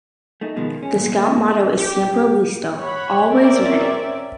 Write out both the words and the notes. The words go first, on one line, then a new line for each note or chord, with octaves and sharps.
The Scout Motto is "Siempre listo", "Always ready".
A3 D#4
B2 D#3 F3 G#3
C#4
E2 G2 A#2 F#3
G#3 A#3 D#5 E5
G4
C#5 F#5 B5
C4 C#4 A#4 D5 E5